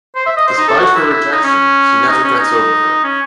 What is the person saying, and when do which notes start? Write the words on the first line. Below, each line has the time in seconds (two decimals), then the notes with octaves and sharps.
Despite her rejection, he never gets over her.
0.15 C5
0.26 E5
0.36 D#5
0.47 C5
0.58 D#4
0.68 A4
0.79 F#4
0.95 E4
1.32 D#4
1.43 C#4
2.08 D#4
2.24 C#4
2.39 D#4
3.04 C#4